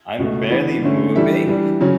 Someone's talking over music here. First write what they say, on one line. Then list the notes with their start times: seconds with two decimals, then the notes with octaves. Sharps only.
I'm barely moving,
0.19 C#2 B2 A3
0.50 E3 B3 D4
0.82 D3 A3 C#4
1.16 E3 G3 D4 A4 E5
1.47 E3 G3 D4
1.81 C#3 F#3 C#4